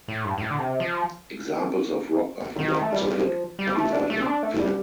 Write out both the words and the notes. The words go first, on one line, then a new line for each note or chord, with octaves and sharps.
Examples of rock art from the Mesolithic have been discovered near Filiano.
A2
G2
G2
A2
D3
C3
F3
D#3
A3
G3
F3
G3
A3
D4
A3
C4
D4
A3
G3